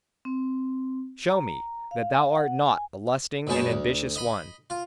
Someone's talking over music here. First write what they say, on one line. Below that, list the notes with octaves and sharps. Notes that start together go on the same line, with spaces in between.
Show me that thou art not a lusting and ambitious one!
C4
A#5
F5
F#5
G#5
A#1 F#2 B2 G#3 C#5 A5
D2
D#5 B5
F4